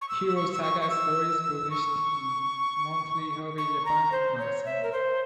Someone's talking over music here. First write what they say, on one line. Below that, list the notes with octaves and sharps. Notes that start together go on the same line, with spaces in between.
Hero Saga stories published in "Monthly Hobby Japan" magazine.
C#6
E6
E6
C#6
E6
C#6
C#6
E6
C#6
C#6
A#5
C5
C#5
E5
A#4
C5